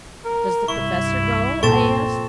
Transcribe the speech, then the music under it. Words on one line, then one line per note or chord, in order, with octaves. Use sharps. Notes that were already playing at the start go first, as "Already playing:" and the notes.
"Does the professor go?" I asked.
A#4
C2 G2 E4 C#6
A#2 C4 A4 C#6 A6 E7